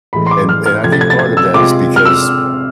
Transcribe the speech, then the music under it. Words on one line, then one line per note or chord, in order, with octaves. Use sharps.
and and I think part of that is because
A2 E3 G#3 B5
C6
D6
F6
F6
C3 F3 A3 C4 G#6
A6
G#6
A6
G#6
E6
C3 G#3 C4 F4 D6
F6
E6